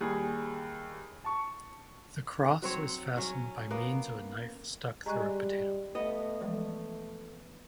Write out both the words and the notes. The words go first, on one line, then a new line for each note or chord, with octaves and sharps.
The cross is fastened by means of a knife stuck through a potato.
D#2 G3 G#4
A5 C#6
F#3 C4 C#5
F#3 C#4
A#3 B3
G3 G#3 A#5 C#6 F#6
A3 B3 D#5
E3 F3 G#3 A3